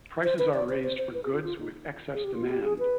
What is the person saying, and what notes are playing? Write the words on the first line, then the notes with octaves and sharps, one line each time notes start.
Prices are raised for goods with excess demand.
C5
B4
D5
C5
C5
C5
B4
G#4
F4
F4
D#4
G#4
G4
F4
G4
G#4
B4